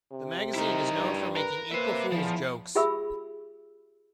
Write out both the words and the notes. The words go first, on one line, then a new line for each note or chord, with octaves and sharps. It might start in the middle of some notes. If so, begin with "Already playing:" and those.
The magazine is known for making April Fools jokes.
C3
D#4 E4 A#4
G2
A#4 B4
A#3 B4 C5 E5
E2 F3 E4
F4 G4 G#4 E5 B5 E6